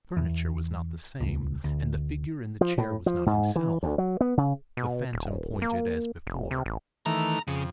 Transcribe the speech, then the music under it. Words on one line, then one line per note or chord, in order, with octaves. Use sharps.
The furniture was not the same, and the figure in the chair was not himself. The Phantom pointed as before.
E2
D#1 C#2
D2
F3
A2
F3
G#2
E3
D2
F#3
B3
C#3
B2
D#1
A#3
F1
C3
A1
D#3 E3 A3 A#5
F2 C#3